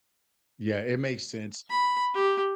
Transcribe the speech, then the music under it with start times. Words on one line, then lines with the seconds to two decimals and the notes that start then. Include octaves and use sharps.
Yeah, it makes sense.
1.70 B5
2.14 G4